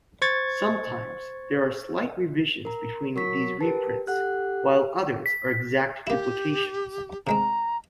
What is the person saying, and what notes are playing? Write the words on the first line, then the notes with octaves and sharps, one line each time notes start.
Sometimes there are slight revisions between these reprints, while others are exact duplications.
C5 C#6 G#6 A6
A#4 A#5
F#3 A#4 C#6 B6
G4 A#4 B4 A5
G4 A4 F#5 F#6
B6
A#3 E4 G4
C3 G#3 C4 A#5